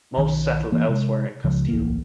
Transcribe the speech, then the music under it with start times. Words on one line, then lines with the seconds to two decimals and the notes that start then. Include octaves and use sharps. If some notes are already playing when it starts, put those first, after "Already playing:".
Most settled elsewhere in Castile.
0.17 B1 D#3
0.72 E3 A#3
0.89 C3 G#3
1.44 C#2 C#3 F3
1.68 D1 B1 E3 A#3